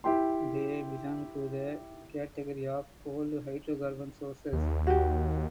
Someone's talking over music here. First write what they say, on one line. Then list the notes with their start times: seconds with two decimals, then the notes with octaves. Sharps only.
They belong to the category of cold hydrocarbon sources.
0.04 E4 G4 G5 C6
4.53 D#2
4.87 F#4 G4